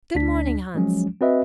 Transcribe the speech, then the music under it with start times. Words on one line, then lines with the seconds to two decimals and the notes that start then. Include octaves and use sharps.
'Good morning, Hans.
0.15 D2 D4 B6
0.75 F3 F#3 G#3 C#4
1.21 C4 F#4 B4 D#5 E5